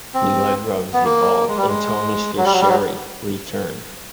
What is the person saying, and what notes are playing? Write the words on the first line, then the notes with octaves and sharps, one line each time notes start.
He led Rumsey Hall until Mr. Sherry returned.
C4
B3
A#3
G#3
G3
G#3
F#3
G3
F#3
G3
F#3